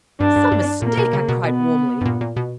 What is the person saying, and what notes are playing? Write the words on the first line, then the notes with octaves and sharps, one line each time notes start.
'Some mistake!' I cried, warmly.
G2 D4
G2
G2
A#2 A#3
B2
C#3
B2
B2 B3
G2
A#2
A#2
B2